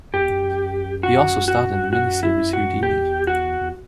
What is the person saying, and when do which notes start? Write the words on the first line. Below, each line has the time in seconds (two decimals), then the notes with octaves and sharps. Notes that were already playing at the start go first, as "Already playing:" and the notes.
He also starred in the miniseries "Houdini".
0.13 F#2 G4
0.21 E2
0.30 F#2
1.03 F#4
1.48 F#4
1.93 F#4
2.23 E4
2.53 F#4
2.82 E2 G4
3.27 F#4
3.61 E2